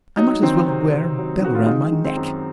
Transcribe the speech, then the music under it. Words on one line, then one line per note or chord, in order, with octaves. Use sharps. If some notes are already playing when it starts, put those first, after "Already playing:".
I might as well wear a bell round my neck.
F#3 D#4
D#3 C4
C3
C3
F#3
D#3 F#4
F4
G#3 D#4
D#3
C4
F#2